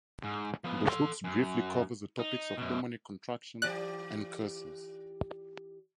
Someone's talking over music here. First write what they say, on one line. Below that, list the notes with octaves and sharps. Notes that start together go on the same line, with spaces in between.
The books briefly cover the topics of demonic contraction and curses.
G#2
F3 B3
A4 C6
F#2
D#4
F#2 B2
E3 G4 D5 F#6